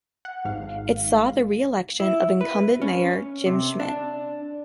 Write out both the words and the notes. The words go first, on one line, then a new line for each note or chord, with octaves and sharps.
It saw the reelection of incumbent mayor Jim Schmitt.
F#5
G#1 G#2 F5
E4
B4
C#4
C3
D4